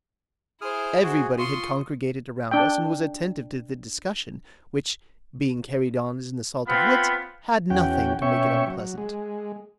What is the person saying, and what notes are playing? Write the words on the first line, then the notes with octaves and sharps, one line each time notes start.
Everybody had congregated around us and was attentive to the discussion, which, being carried on as an assault of wit, had nothing to make it unpleasant.
E4 G#4 C5 D#6 F6
F#4 G#4
F4 C6 C#6 D#6
D4 G5
B3 C4 F4 B5
E2 C#4 F#4 G5
B2 C#4 C#5 E5 G5 C#6
F#3
G#3